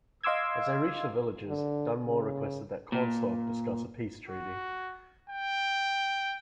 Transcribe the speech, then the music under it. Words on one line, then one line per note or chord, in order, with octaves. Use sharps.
As they reached the villages, Dunmore requested that Cornstalk discuss a peace treaty.
D#5 F5 C6 D6 E6 G#6
D3
C#3
A#2
F#4
G5